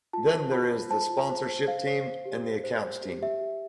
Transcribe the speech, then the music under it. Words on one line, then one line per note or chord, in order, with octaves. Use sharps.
Then there is the sponsorship team, and the accounts team.
F4 A5
C5
F4 B5
F4
C5 A5
F4
C5
C5
C5 F5
C5
C5
G4
C5
C5
C5
G4
G4 E5
G4